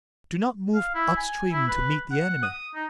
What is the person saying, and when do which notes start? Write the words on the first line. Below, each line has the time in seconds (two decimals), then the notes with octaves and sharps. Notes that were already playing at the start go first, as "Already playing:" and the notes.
Do not move up-stream to meet the enemy.
0.74 F5
0.94 E4
1.17 G#5
1.52 E4
1.68 B4
2.11 F#5
2.42 D#6
2.75 D#4